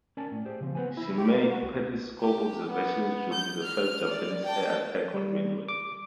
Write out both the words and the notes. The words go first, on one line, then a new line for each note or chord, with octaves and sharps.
She made periscope observations during the first Japanese air attack on Midway.
C#4 A#4 D5 G#5 A5
A2
G4 G#4 C5
C#3 F3 C4
B3 B4 C5 G#5
E4
G4
A#3
F#4
C2
G4
B3
G6
F6
D5
G5 A5
G3
D6